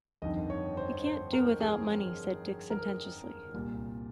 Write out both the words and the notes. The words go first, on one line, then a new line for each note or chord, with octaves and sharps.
"You can't do without money," said Dick sententiously.
G1 F2 D#3 D#5
C#5
C5
C5
A#4
G#4
A#4
C2 A#2